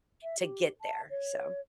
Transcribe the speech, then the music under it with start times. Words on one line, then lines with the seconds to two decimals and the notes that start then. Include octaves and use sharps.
to get there, so
0.23 E5
0.40 G4
0.81 A5
1.10 C#5